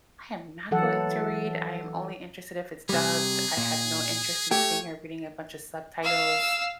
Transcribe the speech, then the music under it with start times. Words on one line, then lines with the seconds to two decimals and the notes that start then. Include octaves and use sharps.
"I am not going to read, I am only interested if it’s dubbed, I have no interest in sitting here reading a bunch of subtitles,"
0.71 E3 F#3 A4 F#5
2.89 C3 G3 G#4
3.57 A#2
4.51 A3 G4 C#5
6.03 F5 E6